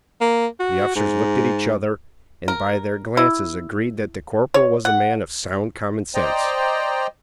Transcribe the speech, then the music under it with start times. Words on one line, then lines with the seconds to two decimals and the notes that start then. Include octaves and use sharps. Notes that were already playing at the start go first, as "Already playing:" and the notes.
The officers looked at each other, and by their glances agreed that the corporal was a man of sound common sense.
0.21 A#3
0.59 F#4
0.96 G#2
2.48 A#4
3.17 E4
4.54 C#5
4.85 F#5
6.15 C5 D5 D#5 G5 A#5